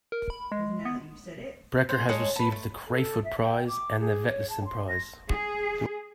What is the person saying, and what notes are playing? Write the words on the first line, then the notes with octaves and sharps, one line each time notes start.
Broecker has received the Crafoord Prize and the Vetlesen Prize.
A#4
B5
G#3
B3
C5
G#3 C#5 A5
B4 A5
A3
A4
E5
G5
D6
G#4
C#5
A5
C6
A#6
G#4